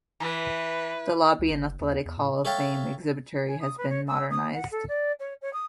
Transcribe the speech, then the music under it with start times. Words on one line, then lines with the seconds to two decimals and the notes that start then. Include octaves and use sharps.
The lobby and Athletic Hall of Fame exhibitry have been modernized.
0.20 E3 B4
1.39 C#2
1.51 G#1
1.66 F#1
1.80 D#2
2.06 E2
2.18 A2
2.45 A4 C#5 E5 F5 G5 A5
3.47 G#5
3.61 D#6
3.77 B4
3.89 C#5
4.07 E6
4.30 D#6
4.53 F#5
4.71 A4
4.88 D5
5.19 C#5
5.41 C#5
5.53 D#6